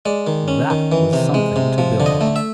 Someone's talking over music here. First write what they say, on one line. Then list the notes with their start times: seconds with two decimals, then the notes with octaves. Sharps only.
That was something to build on.
0.06 G#3 D5
0.27 D#3
0.48 C#4
0.70 D#3
0.92 E3
1.13 C3
1.34 G#3
1.56 C3
1.78 F3
2.00 D3
2.06 D#5
2.21 A3
2.36 E5